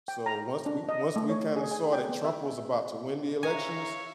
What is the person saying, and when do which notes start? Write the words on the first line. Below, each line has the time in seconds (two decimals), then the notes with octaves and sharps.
So, once we once we kinda saw that Trump was about to win the elections,
0.08 G5
0.26 A#5
0.66 D4
0.89 D#5
1.16 A3
1.30 C#5
1.56 G#4
1.71 G#5
1.93 G5
2.09 B3
2.24 E5
3.43 C#5 E5 F5 G#5 A#5